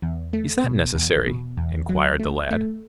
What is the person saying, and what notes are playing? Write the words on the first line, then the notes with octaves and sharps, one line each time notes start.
"Is that necessary?" inquired the lad.
E2
A3
B2
E2
B2
E2
F#3
A3
A3